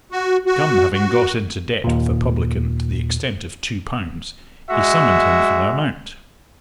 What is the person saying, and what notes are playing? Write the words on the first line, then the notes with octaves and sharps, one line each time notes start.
Gun having got into debt with a publican, to the extent of two pounds, he summoned him for the amount.
F#4
F#4
F#4
D#2 A#2
G#3 F#4 E5